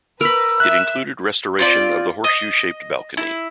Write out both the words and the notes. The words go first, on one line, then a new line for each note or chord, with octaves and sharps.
It included restoration of the horseshoe-shaped balcony.
A#4 B4 B5 E6
E5 F#6
C4 F4 D5
D#5
E4